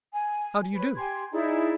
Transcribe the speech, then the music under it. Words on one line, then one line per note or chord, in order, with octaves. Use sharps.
"How do you do?"
G#5
B4 C#5
G4 G#5 C6 G#6
D#4 E4 G#4 D5